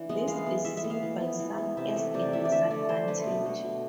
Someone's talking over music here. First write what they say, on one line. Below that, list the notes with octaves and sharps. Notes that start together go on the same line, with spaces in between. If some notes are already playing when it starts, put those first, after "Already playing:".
This is seen by some as a disadvantage.
Already playing: E3 D4
G#3 B3
E3 F5
B3
E3 E5
E5
B3
F5
E3
B3
E3
B3
C3 E5
E3 A3
C3 D5
E3 A3 E5
D5
D3 E5
A3 D5
D3 C5
A3 B4
B2
A3
B2